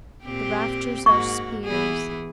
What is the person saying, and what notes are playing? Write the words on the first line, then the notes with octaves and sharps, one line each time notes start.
The rafters are spears.
A#2 C4 G4
G#2 A#3 F#4 C#6
E3 B3 G#4